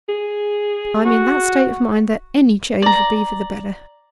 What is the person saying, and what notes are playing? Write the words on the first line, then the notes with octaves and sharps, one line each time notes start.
I'm in that state of mind that any change would be for the better.
G#4
F#4
D5 A#5